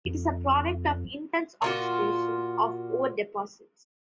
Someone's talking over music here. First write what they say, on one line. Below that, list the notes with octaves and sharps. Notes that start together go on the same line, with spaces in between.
It is a product of intense oxidation of ore deposits.
F2
A#2 F4 F#4